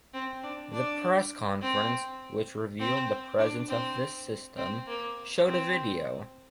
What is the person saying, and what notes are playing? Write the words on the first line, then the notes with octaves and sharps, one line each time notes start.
The press conference, which revealed the presence of this system, showed a video.
C4
D4
D4
C4
C4
D4
C4
C4
A#3
C4